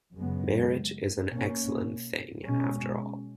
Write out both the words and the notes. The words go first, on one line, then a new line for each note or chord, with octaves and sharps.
Marriage is an excellent thing, after all.
F#2 C#3 G#3 B3
B2 A#3 C#4
B2 G#3 C#4